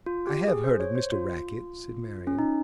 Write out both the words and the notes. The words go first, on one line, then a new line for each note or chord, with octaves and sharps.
'I have heard of Mr Rackett,' said Marian.
F4
G4
G#4
C5
C#5
C5
F4
C#4
D#4